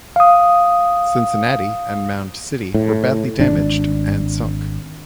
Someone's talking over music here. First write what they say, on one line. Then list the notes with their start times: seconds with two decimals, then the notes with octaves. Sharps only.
"Cincinnati" and "Mound City" were badly damaged and sunk.
0.16 F5 D#6
2.74 A2
3.39 G#1 D4